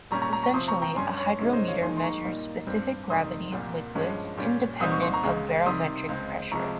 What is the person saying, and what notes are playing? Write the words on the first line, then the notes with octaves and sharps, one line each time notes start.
Essentially, a hydrometer measures specific gravity of liquids independent of barometric pressure.
A#2 G3 C#4 A#5 C#6
A#5 C#6
A#5 C#6
A#5 C#6
C3 F3 C4 C6 D#6
A#5 C#6
G5 A#5
G2 G3 C#4 G#5 C6
C#5
C3 D#3 G#3 C#4
C5 D#5
C#5 F5
D#2 D#3 G#3 D#4 G#5 C6
C6
A#5 C#6
A#2 G3 A#3 D#4
G2 G3 C4
F2 C3 D#3 G3 C6 D#6
C2 A#2 G3 A#3
G2 F3 G#3 C#4
A#2 G3 C#4
C2 A#2 G3 C4 D#4 D#6
C#6
C6
A#5 C#6
C#2 C#3 G#3
C3 D#3 G3 C6 D#6
C#2 C#3 G#3 C4
C3 F3 G#3 A#5 C#6